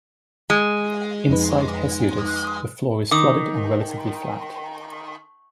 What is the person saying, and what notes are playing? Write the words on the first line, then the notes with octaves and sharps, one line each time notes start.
Inside Hesiodus, the floor is flooded and relatively flat.
G#3
F2 D#4 B4
D#3 D6 D#6